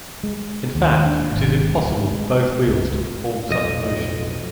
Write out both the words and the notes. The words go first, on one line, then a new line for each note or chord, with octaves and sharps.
In fact, it is impossible for both wheels to perform such motion.
G#3
D#2
D4
G#1
D1
G#2
G#3
C#2
B1 F2 D#5